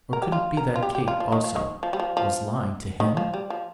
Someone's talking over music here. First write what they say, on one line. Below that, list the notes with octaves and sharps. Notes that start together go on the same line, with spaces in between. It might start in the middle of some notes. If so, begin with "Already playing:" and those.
Or could it be that Kate, also, was lying to him?
A#4
G4
F4
A#4
F4
G4
G4
F4
F3
D#3
F3
D#3
F3
G3
F3
F3
D#3
F3
G3
F3